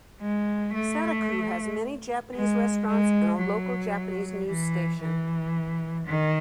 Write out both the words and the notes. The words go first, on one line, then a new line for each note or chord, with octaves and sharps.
Sataku has many Japanese restaurants and a local Japanese news station.
G#3
A3
G#3
G#3
F#3
E3
E3
D#3